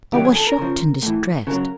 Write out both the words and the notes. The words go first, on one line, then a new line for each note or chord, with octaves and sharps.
I was shocked and distressed.
C3 D#3 F#3 G4
G#4
A4
A#4
C#3 F3
A2 E3
C#3 F#3 A#4